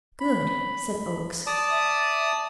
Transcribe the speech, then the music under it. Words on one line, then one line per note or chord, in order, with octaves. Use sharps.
"Good!" said Oakes.
B5
D5 A5 D#6
E5